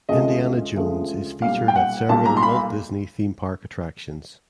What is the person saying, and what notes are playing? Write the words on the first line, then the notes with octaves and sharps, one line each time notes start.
Indiana Jones is featured at several Walt Disney theme park attractions.
D2 C#3 F3 G#3 D#5
D2 C#3 F3 G#3
B1 A#2 G3 F5
G5
F#5
B1 A#2 G3 A5
A#5
C6
B5